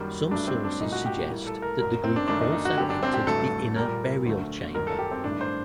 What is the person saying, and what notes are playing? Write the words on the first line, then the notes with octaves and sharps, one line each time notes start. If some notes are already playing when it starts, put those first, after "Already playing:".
Some sources suggest that the group also entered the inner burial chamber.
Already playing: F#2 D#3 G3 A#3
G2 F#3 A3 D4
C4
D4
C2 A#2 A3 D#4
F#4
G4
A1 A2 G3 A#3
A4
A#4
F#1 F#2 F#3 A#3 A#4
C4
D4
F#1 F#2 D#3 A3 D4
D#4
D#4
F#4
F#1 F#2 D3 G4
D4
C4
G4
A1 G2 D3 F#3 A3 A4
A#1 A#2 G3 A#4
D2 D3 F#3 A3
G1 F#2 D#3 A#4
A4
G4
C4
A1 G2 D#3 A3 D4
C5